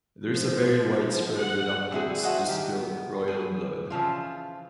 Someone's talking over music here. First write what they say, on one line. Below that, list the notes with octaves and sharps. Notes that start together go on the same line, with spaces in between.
There is a very widespread reluctance to spill royal blood.
F3
F#5
E3 G3 C4 E4 F#4 G#4
G#3 F#4 C5 D#5 E5 F#5
D#3 G4
B3
G#4 B4
C#3 E3 F3 F4